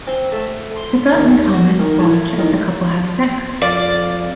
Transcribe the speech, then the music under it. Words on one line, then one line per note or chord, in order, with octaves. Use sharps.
Pippa and Thomas watch as the couple have sex.
C4
A3
C6
D#2
F#4
D#3
A2
D#3
F2 D5 F5